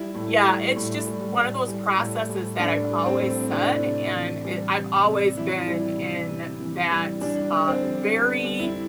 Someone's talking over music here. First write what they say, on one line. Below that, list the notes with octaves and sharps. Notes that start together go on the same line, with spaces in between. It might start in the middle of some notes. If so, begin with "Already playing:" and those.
Yeah, it's just one of those processes that I've always said, and, eh I've always been in that, uh, very
Already playing: G3 E4
A2
G3
A2
G3
A2
G3
A2
G3
A2 D4
G3
C4
A2
C3 D4
C3
E3
G3
C3
C3
E3 E4
G3
C3
C3
E3
G3
G3 D4
D3
C4
G3
D3 D4
G3
E4